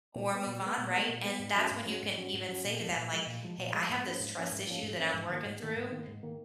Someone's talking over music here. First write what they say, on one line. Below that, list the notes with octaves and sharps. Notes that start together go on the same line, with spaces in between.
or move on, right? And that's when you can even say to them, like, "Hey, I have this trust issue that I'm working through,
A#2
G#3 B3
A#2
G#3 B3
A#2
G#3 B3
A#2
G#3 B3
G#2
F#3 C#4
G#2
F#3 C#4
G#2
F#3 C#4
G#2
F#3 C#4
A#2
F3 G#3
A#2
F3 G#3
A#2
F3 G#3
A#2
F3 G#3
G#2
F3 A#3 C#4
G#2
F3 A#3 C#4
G#2
F3 A#3 C#4
G#2
F3 A#3 C#4
G#2
D#3 A#3
G#2
D#3 A#3
G#2
D#3 A#3
G#2
D#3 A#3